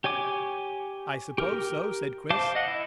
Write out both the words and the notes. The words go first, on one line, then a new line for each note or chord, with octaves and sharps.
"I suppose so," said Chris.
G4 C#5 G#5 D6
G4 A#4
C5 F5 A5 D6
D#5 F#5
E4